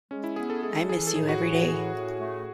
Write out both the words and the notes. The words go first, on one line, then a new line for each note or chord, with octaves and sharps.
I miss you every day.
G#3 C#4
E4
B3 G#4
A4
G#3 G#4
E3 G#4
A4
A2 G#4
F#4
E3 G#4
F#4
A2 G#4
A2
A3